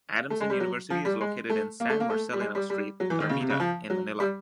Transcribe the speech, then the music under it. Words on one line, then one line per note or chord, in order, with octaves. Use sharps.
Adamson University is located in San Marcelino Street, Ermita in Manila.
A3
G#3
G3
F#3
F3
G3
G#3
A3
A#3
A3
A#3
A3
G3
G#3
G3
G3
F#3
E3
D#3
C#3
C3
C#3
F3
F#3
G3